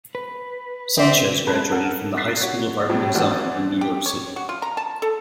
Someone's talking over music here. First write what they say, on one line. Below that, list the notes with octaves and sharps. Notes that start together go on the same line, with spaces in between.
Sanchez graduated from the High School of Art and Design in New York City.
B4
C4 E5
G#3 B4 A5 F#6
A4 A#4 F#5
F#6 A6 B6 C7
F#4 C#5
A2 F#3 G3
E3 D4 F#4 C5
G4
C#5
F#4
F4
A#5
A5
A4